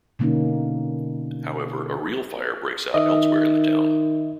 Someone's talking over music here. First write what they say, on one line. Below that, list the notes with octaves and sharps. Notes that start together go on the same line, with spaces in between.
However, a real fire breaks out elsewhere in the town.
B2 D3 A#3 C#4 D#4
D#3 D#5 E5